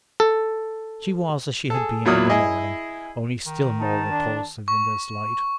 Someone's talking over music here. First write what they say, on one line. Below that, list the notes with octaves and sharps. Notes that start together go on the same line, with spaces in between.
She was as she had been in the morning, only still more repulsive in this light.
A4
G#4 A4
E2 A#2 F#3 E4 D#6 F6
E4 G#4 D#5
D#3
D#4 A5
D4
C#6